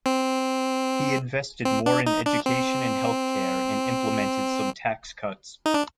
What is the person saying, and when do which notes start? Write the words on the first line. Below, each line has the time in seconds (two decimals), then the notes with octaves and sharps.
He invested more in education and health care, and implemented some tax cuts.
0.06 C4
1.65 C4
1.86 D4
2.07 D#4
2.26 D4
2.46 C4
5.66 D#4
5.74 D4